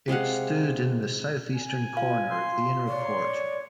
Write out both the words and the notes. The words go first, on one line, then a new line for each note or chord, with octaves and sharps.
It stood in the south-eastern corner of the inner court.
C3 G#3 F5 F#5
G#5
F4 F5
C6
C#5 D5